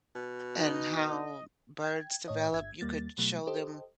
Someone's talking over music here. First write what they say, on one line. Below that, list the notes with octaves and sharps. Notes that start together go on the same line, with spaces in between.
and how birds develop, you could show them
B2
D#4 D#5
G5 G#6
A2 C#5 D#5
G1 E5 G#6
D#2 G3 A#3 A6
B2 F#3 A3
G4 A4 C5 D#5